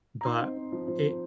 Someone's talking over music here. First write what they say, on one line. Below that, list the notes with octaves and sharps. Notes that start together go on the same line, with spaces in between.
But it
A#5
D#4 C6
C4
C4
F3
F3